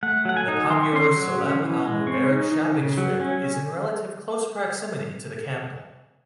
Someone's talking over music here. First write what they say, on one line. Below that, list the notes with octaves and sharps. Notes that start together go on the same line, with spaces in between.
The popular Salem Al-Mubarak Shopping strip is in relative close proximity to the capital.
A3 F#5
F#3 F#5
G#5
D#4
D#3 C6
C#6
C#4 C6
F#3
C#4
E3
G#3
C4 C#6
D#4
D#4
C#3
F#3
C#4